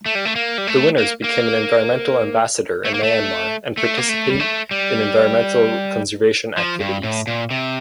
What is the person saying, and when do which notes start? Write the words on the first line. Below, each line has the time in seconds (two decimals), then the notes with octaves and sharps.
The winners become an Environmental Ambassador in Myanmar and participate in environmental conservation activities.
0.06 A3
0.15 G3
0.25 A3
0.36 A#3
0.58 G3
0.67 A3
0.98 A#3
1.24 A#3
2.85 A3
2.94 A#3
3.03 A3
3.77 A3
3.97 A#3
4.09 A3
4.30 G3
4.40 A3
4.71 G3
6.57 F3
6.80 G2
7.03 A2
7.27 A#2
7.51 C3